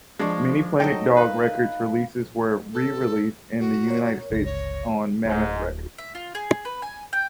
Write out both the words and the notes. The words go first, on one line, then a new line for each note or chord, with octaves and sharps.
Many Planet Dog Records releases were re-released in the United States on Mammoth Records.
F3 G#3 D4 C5 C#6
F#3 D#4 A4 D#5 G5
B4 F5 B5
A4
F#4
A#4 C#5
G1 C#2 A#6
C#5
D1 G#2
E5
F4
G#4
B4
G#5
G5